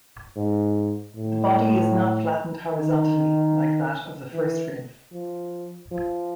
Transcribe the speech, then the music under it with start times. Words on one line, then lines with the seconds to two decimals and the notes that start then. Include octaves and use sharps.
The body is not flattened horizontally like that of the first rib.
0.36 G#2
1.16 A2
2.74 D#3
4.33 E3
5.13 F3
5.92 F3